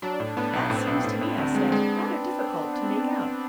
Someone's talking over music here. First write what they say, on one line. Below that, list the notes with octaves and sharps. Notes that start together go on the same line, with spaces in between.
"That seems to me," I said, "rather difficult to make out."
F#3 D4
A2
A2 B3
B1 B3
A2 C4
B1
A2
A2
D2
G#3
G#3